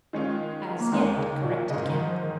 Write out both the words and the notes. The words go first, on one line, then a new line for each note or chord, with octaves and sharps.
"As yet," corrected Kemp.
D#3 G#3 C#4 F4
A#3
D#2 D#3 G#3 A#3 D#4
C#3
A#2
G#2 C#3 G#3 C#4 A#4 D#5
D#3
F3
D#3